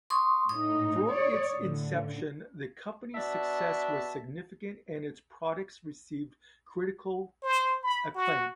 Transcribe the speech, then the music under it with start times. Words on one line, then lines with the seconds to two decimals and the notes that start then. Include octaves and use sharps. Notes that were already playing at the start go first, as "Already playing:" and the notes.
From its inception, the company's success was significant and its products received critical acclaim.
0.10 C6 C#6 D#6
0.49 A2 D#4 D#6
1.10 C#5 D5
1.57 A2 D3
3.13 B2 D4 E5 A5
7.43 C5
7.83 B5
8.15 F#4